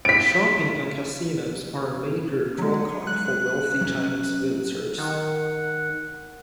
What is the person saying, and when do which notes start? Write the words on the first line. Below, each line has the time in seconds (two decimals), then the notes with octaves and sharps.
Shopping and casinos are a major drawcard for wealthy Chinese visitors.
0.05 B6 D7
2.58 F#3 G#3
3.07 F#6
3.81 F#3 C#4
4.98 D#3 F#5